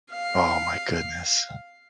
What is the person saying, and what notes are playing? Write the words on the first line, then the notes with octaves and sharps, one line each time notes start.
Oh my goodness.
F5